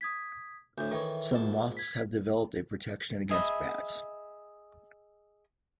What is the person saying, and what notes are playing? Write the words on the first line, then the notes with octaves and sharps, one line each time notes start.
Some moths have developed a protection against bats.
D#6 G#6 B6
D2 A2 D4 G6
D#3 E3 A4 C#5 E5 G5
A#1 G#2 A5
G#6 B6
G#4 D#5 E5 B5